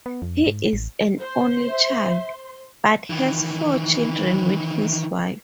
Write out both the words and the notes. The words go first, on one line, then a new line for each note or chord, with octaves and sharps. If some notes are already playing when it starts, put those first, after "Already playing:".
He is an only child, but has four children with his wife.
B3
F2
G#2
A1
C5 C6
E5
D#3 E3